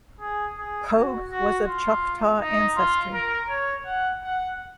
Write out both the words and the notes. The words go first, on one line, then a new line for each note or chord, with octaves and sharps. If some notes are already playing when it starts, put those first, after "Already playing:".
Pogue was of Choctaw ancestry.
G#4
G#4
F#4
F#4
F4
D#4
F4
A#4
C#5
F#5
F#5